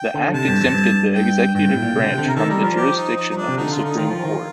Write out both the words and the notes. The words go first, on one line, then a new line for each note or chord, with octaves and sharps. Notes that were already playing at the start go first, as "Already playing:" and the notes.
The Act exempted the Executive Branch from the jurisdiction of the Supreme Court.
Already playing: G5
D3
C3 A5
G2
F2
G2
G5
G2 G5
A2
A#2
C3
D3
C3
D3
C3 A#4
D#3 A4
G3 A#4
F3 A#4
G4
D#4
D#4
D#4
D4
C3
D3 D#4
F4
D3
D#4
D#3 F4
F3
D#3